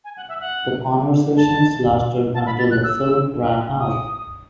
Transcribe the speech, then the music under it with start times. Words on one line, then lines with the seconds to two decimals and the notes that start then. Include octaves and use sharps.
The conversations lasted until the film ran out.
0.04 G#5
0.16 F#5
0.28 E5
0.40 F#5
1.37 A5
2.34 A5
2.46 B5
2.59 A6
2.71 F#6
2.83 E6
3.80 D#6